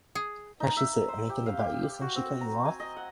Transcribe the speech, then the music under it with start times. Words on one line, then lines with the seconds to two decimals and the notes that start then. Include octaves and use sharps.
Has she said anything about you since she cut you off?
0.15 G#4
0.60 D#4
0.76 E5
1.08 C5
1.29 G4
1.46 F5
1.59 G4
2.01 F#4
2.16 C4
2.41 A#5
2.65 G#5
2.80 D#5
2.96 F#5